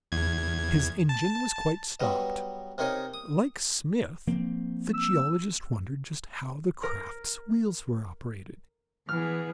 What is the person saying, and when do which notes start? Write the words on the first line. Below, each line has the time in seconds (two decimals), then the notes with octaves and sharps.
His engine was quite stopped; like Smith, the geologist wondered just how the craft's wheels were operated.
0.12 E2 G#6
1.09 A5
2.00 F#3 G3 B3 D#5
2.78 C3 D#4 A#4 C#5 D#5
3.14 D#6
4.27 F3 A#3 C4
4.94 E6
6.83 A#4
9.09 E3 B3 G#4 F6